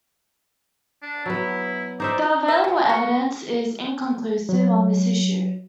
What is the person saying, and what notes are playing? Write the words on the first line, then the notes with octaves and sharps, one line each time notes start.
The available evidence is inconclusive on this issue.
D4
F#3 B3 E4
D#4 C5 D5 E5
E5
C#3
F#4
F#3